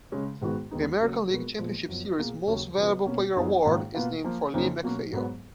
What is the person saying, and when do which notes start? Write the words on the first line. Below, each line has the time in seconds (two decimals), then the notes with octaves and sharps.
The American League Championship Series Most Valuable Player Award is named for Lee MacPhail.
0.12 C#3 G#3 C#4
0.41 G#2 D#3 G#3 B3 F#4
0.71 D#2 D#3 G#3 B3 D#4
1.00 C#3 F#3 A#3
1.29 A#2 G#3 B3 F#4 A#4
1.59 A#2 F3 G#3 B3
1.88 F#2 F3 B3
2.18 B2 A#3 F4 G#4
2.47 D#2 C#3 F#3 C#4
2.77 C#3 F3 B3 F#4 B4
3.06 B2 A#3 C#4
3.36 F#2 F3 B3 D#4 G#4
3.65 G#2 D#3 A#3 C#4 F4
3.95 B2 A#3 F4 B4
4.24 F3 A#3 F4
4.54 F2 C#3 F3 A#3 D#4
4.83 B2 F#3 A#3 C#4 F#4
5.13 G#2 F#3 B3